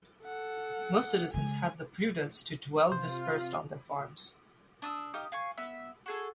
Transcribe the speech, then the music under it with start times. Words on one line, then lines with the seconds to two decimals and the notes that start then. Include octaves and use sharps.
Most citizens had the prudence to dwell dispersed on their farms.
0.24 A4 F#5
1.34 C#3 G#3 G#5
2.92 C3 F4 C5
4.82 D4 D#6 E6
5.14 D#4 G4 F5 D#6
5.32 F5 G#5 C#6
5.58 B3 E5
6.06 F#4 G#4 A4